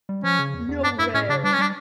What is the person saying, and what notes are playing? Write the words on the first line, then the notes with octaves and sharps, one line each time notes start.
No way!
G3
F3 C#4
C#3
E2
E2
G2 D4
G2 E4
A2 C#4
C#3 D4
G3 D4
C#4
G3 D4